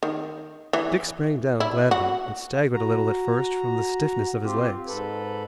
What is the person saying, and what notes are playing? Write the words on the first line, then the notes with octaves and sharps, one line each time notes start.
Dick sprang down gladly, but staggered a little at first from the stiffness of his legs.
D#3
E3
E4
F#4
F#4 A#5
C4 F4 G4
G#2 A4 B4